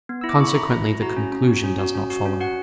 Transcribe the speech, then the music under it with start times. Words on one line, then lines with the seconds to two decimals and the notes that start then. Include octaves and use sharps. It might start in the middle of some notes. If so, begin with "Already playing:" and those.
Consequently the conclusion does not follow.
0.09 B3
0.21 E4 E6
0.30 D6
0.38 E4 C#6
0.47 B5
0.55 E4 A#5
0.71 E4
0.86 E4
1.02 F#4 A#5
1.17 C#4
1.32 C#4
1.48 F#4
1.64 C#4
1.79 F#4
1.95 C#4
2.10 F#4
2.26 C#4
2.41 F#4 F#5